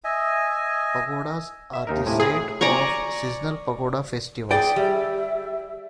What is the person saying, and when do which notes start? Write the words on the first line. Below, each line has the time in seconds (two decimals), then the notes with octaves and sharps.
Pagodas are the site of seasonal pagoda festivals.
0.04 D#5 E5 G#5
1.73 E5
1.87 D#2 D#4 A#4
2.06 A2 C3 G#5
2.20 G#4
2.61 D5 G#5 A#5 C#6
4.51 G#4 D5 G5
4.76 G3 E5